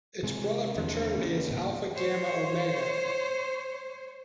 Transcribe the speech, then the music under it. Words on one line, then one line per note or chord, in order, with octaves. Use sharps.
Its brother fraternity is Alpha Gamma Omega.
C3 G#3
E2 D3 F3
C#3 A#3
D2 G#2 B2
C5 C#5